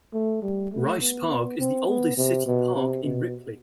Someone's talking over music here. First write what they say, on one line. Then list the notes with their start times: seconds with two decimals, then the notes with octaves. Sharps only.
Rice Park is the oldest city park in Ripley.
0.13 A3
0.42 G3
0.72 A3
1.00 B3
1.59 C4
1.88 B3
2.17 C3
2.46 B2
2.76 C3
3.04 B2